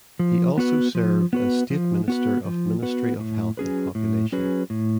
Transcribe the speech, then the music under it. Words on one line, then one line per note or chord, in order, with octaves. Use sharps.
He also served as State Minister of Ministry of Health and Population.
F3
B3 F#4 B4
F3
B3 F#4 B4
F3
B3 F#4 B4
F3
B3 F#4 B4
A2
F#3 C#4 G#4 B4
A2
F#3 C#4 G#4 B4
A2